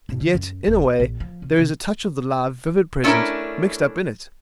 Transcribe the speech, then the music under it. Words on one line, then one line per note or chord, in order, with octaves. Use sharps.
And yet, in a way, there is a touch of the live, vivid present mixed up in it.'
G#2
D3
F#2
D1
F4
A#1
F3
C3
C3
A3 C#4 D4 E4 A#4